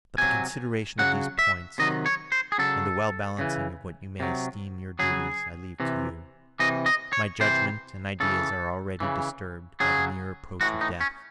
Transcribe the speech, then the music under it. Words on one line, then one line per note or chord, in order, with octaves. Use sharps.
But the consideration of these points, and the well balancing of what you may esteem your duties, I leave to you; my judgment and ideas are already disturbed by the near approach of death.
C3 F#3 G#5
C#3 F#3 F#5
E5
C3 D#3 F#3 D#5
C#5
C5
G#4
C#3 F#3 A4
C#3 E3
C3 F#3
C#3 F#3 G#4
C3 E3
C3 E3 D#5
D#5
C#5
C3 E3 C5
C#3 E3 A4
C#3 E3
C#3 F#3 G#4
A2 E3 F#4
D#4
C#4